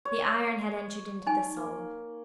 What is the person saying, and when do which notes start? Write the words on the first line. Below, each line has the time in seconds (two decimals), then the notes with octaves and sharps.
The iron had entered into the soul.
0.05 C#5
1.27 D#4 G#5
1.56 A#3